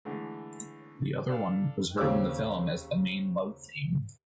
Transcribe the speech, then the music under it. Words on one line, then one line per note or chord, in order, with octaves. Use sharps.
The other one was heard in the film as the main love theme.
D3 E3 G#3 A3
D4 A4 F5
D#2 C#3 C4 C#5 D6 E6